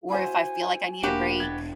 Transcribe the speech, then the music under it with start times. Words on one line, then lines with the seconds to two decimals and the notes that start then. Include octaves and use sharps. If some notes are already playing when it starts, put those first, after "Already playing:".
or if I feel like I need a break,
0.10 E4 F#4 C5 G#5
1.03 E1 A#3 D4 F#4 G4 B4
1.40 G#6 A6